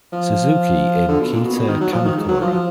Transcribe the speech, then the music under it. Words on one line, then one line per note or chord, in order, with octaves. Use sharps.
Suzuki in Kita-Kamakura.
F3
D3
B2
A#2
B2
B2
D#3
F#3
F3
D#3
G#2
F#3
F3
F3